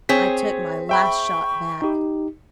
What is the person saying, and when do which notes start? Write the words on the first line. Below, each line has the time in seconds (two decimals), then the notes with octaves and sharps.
I took my "Last Shot" back.
0.09 C4 G#4 C#5 B6
0.89 E5 G5 B5 C#6
1.82 D#4 G4